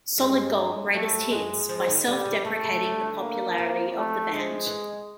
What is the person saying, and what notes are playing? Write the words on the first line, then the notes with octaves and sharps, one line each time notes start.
"Solid Gold - Greatest Hits" by self-deprecating the popularity of the band.
G2 G3 G#3
F#3 A3
G3
F#3
G3
F#2 F#3 G#3
F2 F3
D#2 D#3
D2 D3 G3
C#3
C#3 A3
C#3
D2 D3
A#3
F2 F3
A3
F2 F3 G#3
E3